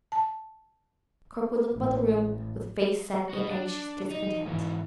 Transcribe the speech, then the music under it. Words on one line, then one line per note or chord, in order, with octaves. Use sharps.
Kirkwood looked about the room with face set in anxious discontent.
A5
A1
F#4 D#5
D4
D#4
G#2 E3